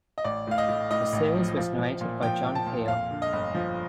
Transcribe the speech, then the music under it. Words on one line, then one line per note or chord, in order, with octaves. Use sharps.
The series was narrated by John Peel.
D#5
A1 D5
A2 F5
D#5
A2
A2 D#5
A1
F3
F3
F3
A#2
F3 G5
A#2
A5
A#2
F2 F5
D3
D#5
G1
F3